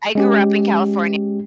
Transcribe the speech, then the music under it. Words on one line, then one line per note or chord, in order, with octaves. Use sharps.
I grew up in California.
G#3 C#4 G4